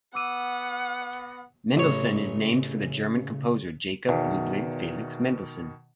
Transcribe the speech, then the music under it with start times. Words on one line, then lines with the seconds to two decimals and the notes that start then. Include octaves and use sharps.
Mendelssohn is named for the German composer Jakob Ludwig Felix Mendelssohn.
0.15 B3 F#5 D6 E6 D#7
1.77 A1 C#3 C#5
4.09 E2 B2 D#3